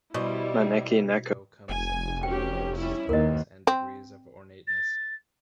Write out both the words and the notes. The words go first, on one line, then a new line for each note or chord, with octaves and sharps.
"Maneki-neko" comes in different colors, styles and degrees of ornateness.
B2 G3 E4 C5 D5 D#5
F1 G#5
F#3 C#4 G4 G5
G3 C#4 E4
D#2 A#3 B3 A#4 D#5
C4
A6